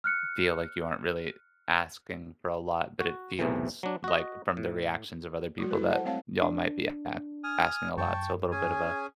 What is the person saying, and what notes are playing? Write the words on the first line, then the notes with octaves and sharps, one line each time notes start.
feel like you aren't really asking for a lot, but it feels like from the reactions of other people that y'all might be a asking a lot. So a little bit of a
F6 F#6 C#7
F#4
B1 E2 A2 C3 E3
F#3 D4
F#4 D#5
A2
F#3 G#3 F#4
E4 A4 B4
C5 F#5 A5
G3 A3 C4 C#5 F5 A5
D4
G#5 D#6 F6
F#2 G5 A5 C#6
C#4 G#4 G#5